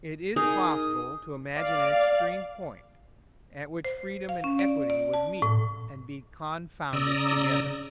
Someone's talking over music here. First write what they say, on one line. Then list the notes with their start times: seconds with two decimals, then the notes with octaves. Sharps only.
It is possible to imagine an extreme point at which freedom and equality would meet and be confounded together.
0.36 D#4 G#4 A#4 D#6
1.57 D5 F5
3.85 C5
4.29 F5
4.44 C#4
4.59 D5
4.90 D5
5.13 A5
5.42 A2
6.93 C#3 D5 A#5 D#6 E6